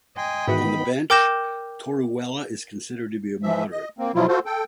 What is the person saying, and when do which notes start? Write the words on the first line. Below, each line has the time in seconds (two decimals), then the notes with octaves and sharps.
On the bench, Torruella is considered to be a moderate.
0.17 D#5 G5 G#5 C6
0.48 G#2 D#3 E3 B3 F#4 B5
1.10 A#4 G5 D6 G6 A#6 E7
3.43 E3 F3 E5
3.71 D#5
3.99 A#3 C4
4.15 B2 F3 F#3 E4 F4
4.28 F4 F#4 A4 C5
4.46 A4 G5